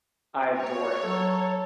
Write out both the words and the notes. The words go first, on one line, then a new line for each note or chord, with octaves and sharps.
I adore it,
C#5
F#3 A4